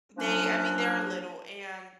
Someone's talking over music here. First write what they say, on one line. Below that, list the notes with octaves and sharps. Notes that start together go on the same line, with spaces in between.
they I mean, they're little and
F3 F#3 A#3 C#4 D4